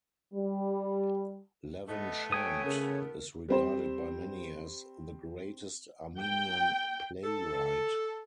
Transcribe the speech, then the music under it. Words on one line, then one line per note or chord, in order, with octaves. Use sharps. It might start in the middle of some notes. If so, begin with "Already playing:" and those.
Levon Shant is regarded by many as the greatest Armenian playwright.
G3
A3 B3 D#5
C#5 G5 G#5 D#6
C#3 A#4
G3 C4 C5
G5
A4